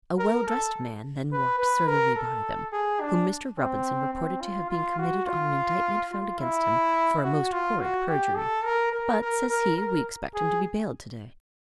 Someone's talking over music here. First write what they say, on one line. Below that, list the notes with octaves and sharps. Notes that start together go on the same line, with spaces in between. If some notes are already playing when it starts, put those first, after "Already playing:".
A well-drest man then walked surlily by them, whom Mr. Robinson reported to have been committed on an indictment found against him for a most horrid perjury; but, says he, we expect him to be bailed today.
A#4
A4
B4
B4
A#4
A4
G#4
D4
C4
C4
F4
F4
F#4
F4
F4
E4
F#4
F4
F#4
G4
A4
A#4
A#4
A#4
A#4
A#4
G#4